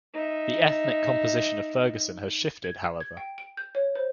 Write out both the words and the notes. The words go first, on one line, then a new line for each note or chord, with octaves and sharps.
The ethnic composition of Ferguson has shifted, however.
D#4 E5
G#6
G#6
G5
D7
G6
C#5
C5